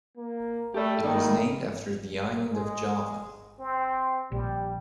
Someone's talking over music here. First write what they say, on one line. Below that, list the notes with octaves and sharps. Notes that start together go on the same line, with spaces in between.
It was named after the island of Java.
A#3
A3 G4 D5
D#3 A3 A#3 D#4
G#3
C4
A#1 G3